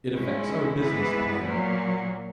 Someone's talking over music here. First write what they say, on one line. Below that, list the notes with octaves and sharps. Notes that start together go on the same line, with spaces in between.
It affects our business plan.
G#2 D#3 G#3 C#4 E4
G#2 E3 B3 E4 B4
A#2 F#3 A#3